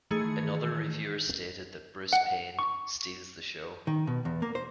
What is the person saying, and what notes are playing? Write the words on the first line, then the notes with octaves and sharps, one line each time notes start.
Another reviewer stated that Bruce Payne 'steals the show.
D#3 E3 A3 G#4 G#6 C#7
F#5
C#6
D#3
B2
E2
A#3
C5